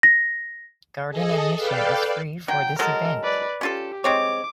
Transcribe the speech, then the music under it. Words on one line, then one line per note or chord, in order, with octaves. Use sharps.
Garden admission is free for this event.
A#6
G#4 A4 D#5
A4 B4 D5 F5 G5
F#3 G5
F#3 G#3 A4 A#4
B4 D5
C#4 F4 G4 A4
G#3 C4 C#5 D6